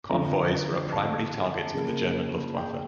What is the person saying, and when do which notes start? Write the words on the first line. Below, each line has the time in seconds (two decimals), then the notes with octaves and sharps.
Convoys were a primary target of the German Luftwaffe.
0.10 F2 D3 F3 A#5
0.92 A5
1.74 C#3 F3 A#3
2.55 G5